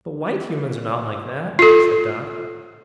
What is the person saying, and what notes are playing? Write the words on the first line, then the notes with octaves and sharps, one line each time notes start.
"But white Humans are not like that," said Dot.
F4 A4